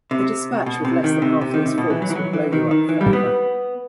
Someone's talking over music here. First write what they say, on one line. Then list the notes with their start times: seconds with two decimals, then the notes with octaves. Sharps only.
A dispatch with less than half these faults would blow you up forever.
0.11 C3
0.66 B2
0.85 C3
1.04 D#3
1.22 C3
1.41 C3
1.54 D#3
1.66 C3
1.78 B2
1.90 E3
2.02 F#3
2.10 E3
2.15 F#3
2.33 E3
2.53 D#3
2.71 D#3
2.89 E3
3.01 G3
3.13 B3